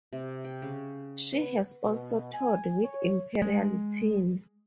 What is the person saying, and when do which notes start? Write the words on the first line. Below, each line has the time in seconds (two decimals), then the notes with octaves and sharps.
She has also toured with Imperial Teen.
0.13 C3
0.44 G5
0.62 C#3
1.33 B3
1.84 B2
2.33 G#5
2.83 C#5
3.42 G#3